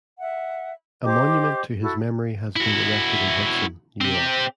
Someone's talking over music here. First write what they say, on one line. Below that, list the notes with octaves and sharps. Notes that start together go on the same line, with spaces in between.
A monument to his memory has been erected in Hudson, New York.
E5 F#5
G4 C5 D#5 D6
E4 F#4 A4
E4 F#4
C4 G4